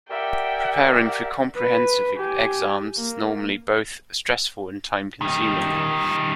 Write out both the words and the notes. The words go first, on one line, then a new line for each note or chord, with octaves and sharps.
Preparing for comprehensive exams is normally both stressful and time consuming.
G4 A#4 D5 E5 F#5 G5
B4
G4 G#5
A#3
D#3 G3